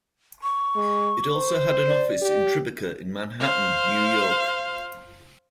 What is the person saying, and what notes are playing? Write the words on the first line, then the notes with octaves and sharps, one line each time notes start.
It also had an office in Tribeca in Manhattan, New York.
C#6
G#3
C5
D5
G4
C5 F5